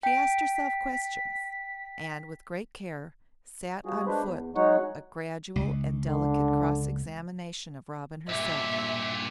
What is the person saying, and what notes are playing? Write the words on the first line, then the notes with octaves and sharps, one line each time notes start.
She asked herself questions and with great care sat on foot a gradual and delicate cross-examination of Robin herself.
G5 B6 D7
F3 G3 F#4 G#4
G#3 D4 B4 C5
E2
F#3 G#3 D#4 C#5 F#5
C#2
D3
G2 A#2 E5